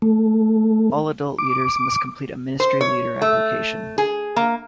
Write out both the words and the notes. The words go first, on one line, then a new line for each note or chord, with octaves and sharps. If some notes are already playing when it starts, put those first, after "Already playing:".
All adult leaders must complete a Ministry Leader Application.
A3
D6
C5
C#5
A3
G#4
A#3